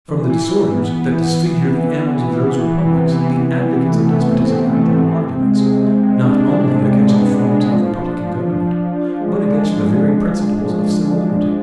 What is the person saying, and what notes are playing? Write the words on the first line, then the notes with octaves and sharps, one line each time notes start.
From the disorders that disfigure the annals of those republics the advocates of despotism have drawn arguments, not only against the forms of republican government, but against the very principles of civil liberty.
E3
E3
E3
B3
B3
E3
E3
E3
E3
E3
E3
B3
E3
C3
E3
C3
E3
E3
A3
C3
C4
A3
A3
C4
C3
G#3
C3
C3
G#3
D4
D4
C3
G#3
B3
G#3
G#3
F3
D4
F3
F3
F3
F3
F3
G#3
D4
G#3